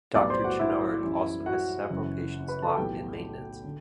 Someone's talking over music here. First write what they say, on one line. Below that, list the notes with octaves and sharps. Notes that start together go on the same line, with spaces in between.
Doctor Channard also has several patients locked in Maintenance.
B1 A2 G3 B3 D5 D6
C5 C6
F#4 F#5
E4 E5
F#2 E3 G3
F#4 F#5
F#1 F#2 E3
B4 B5
A4 A5
B1 A2 E3 B3 G4 G5
D3